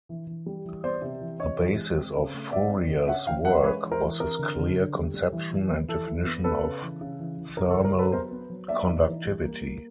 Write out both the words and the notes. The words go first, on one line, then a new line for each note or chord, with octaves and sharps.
The basis of Fourier's work was his clear conception and definition of thermal conductivity.
E3
E3
G3
E3
B3 C5 D5
C3
E3
C3 C#5 D#5
E3
G#3
C4
C#3
A3
A3 D5 E5
C4
C#3
C#4 E5 F#5
E3 F5 G5
C#4 E5 F#5
G#3 B4 C#5
E3
A#4 C5
E3
C4 A#4
D3
D3
D3
G3
G3
E3
E3
B3
E3 A4
E3
B3
B3 A4 B4
C#3
E3
C#3
E3
E3
C#3 A#4
A4
F#3
A#4
F#3 A4 B4
B3 A#4 C5
B3
F#3
A#3 D5 E5
D#4
E3
G3
A#3
A#3